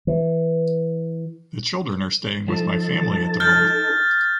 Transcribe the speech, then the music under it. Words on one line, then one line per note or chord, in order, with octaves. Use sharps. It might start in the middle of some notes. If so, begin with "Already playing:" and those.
The children are staying with my family at the moment.
E3
F3 D#4 A4 A5
F6 G6 A6